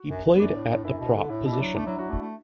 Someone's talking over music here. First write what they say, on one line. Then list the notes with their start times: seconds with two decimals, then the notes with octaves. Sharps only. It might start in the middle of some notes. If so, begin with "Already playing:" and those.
He played at the prop position.
Already playing: F#4
0.09 F#2
0.35 B3
0.39 F#2 D4
0.54 A2
0.62 D4
0.70 A2
0.85 F#2 E4
1.00 B2
1.15 D3
1.30 A2 E4
1.45 B2 E4
1.53 D4
1.60 F#3
1.75 A3 D4
1.87 F#3 E4
1.98 F#3 F#4
2.09 A3 D4
2.21 A3